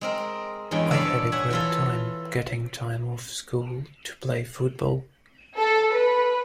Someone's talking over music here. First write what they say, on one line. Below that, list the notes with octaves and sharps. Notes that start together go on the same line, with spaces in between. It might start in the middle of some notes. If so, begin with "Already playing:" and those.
I had a great time, getting time off school to play football.
G#3 C4 A#4
E2 G2 G#3 C#4 G5
A4 C#5 D5 E5 F5
C#5 E5 F#5 G#5
E3 F4 A4
A4
B4